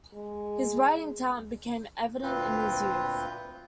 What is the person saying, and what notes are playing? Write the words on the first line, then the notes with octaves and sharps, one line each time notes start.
His writing talent became evident in his youth.
G#3
D2 A#2 C4 F4 B4 G6